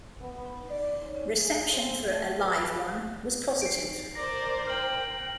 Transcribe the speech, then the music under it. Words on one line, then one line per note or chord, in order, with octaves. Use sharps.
Reception for "A Live One" was positive.
B3
D5
C#4
G#4
C4
A3
B4
C7 D7
A#4 C5 D5 A#6
G5 F6 F#7